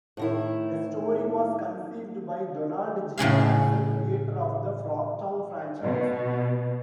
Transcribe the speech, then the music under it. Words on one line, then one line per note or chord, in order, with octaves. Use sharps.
The story was conceived by Donald G. Jackson, creator of the "Frogtown" franchise.
A2 D#3 E4
A2 C#3 G#4 F5
B2